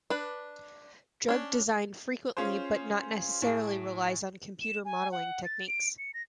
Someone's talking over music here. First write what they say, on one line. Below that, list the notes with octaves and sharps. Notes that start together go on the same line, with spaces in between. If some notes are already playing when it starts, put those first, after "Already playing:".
Drug design frequently but not necessarily relies on computer modeling techniques.
D4 B4
C#4 D4
C#4 F4 G#4 C5
A2 G#4
E7
G#5
F#5
A6
D7
C#7
A#6